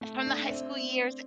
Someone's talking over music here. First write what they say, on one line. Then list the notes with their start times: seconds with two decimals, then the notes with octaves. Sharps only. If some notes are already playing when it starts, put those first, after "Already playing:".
from the high school years
0.01 A3
0.26 D4
0.44 E5
0.48 C4 D5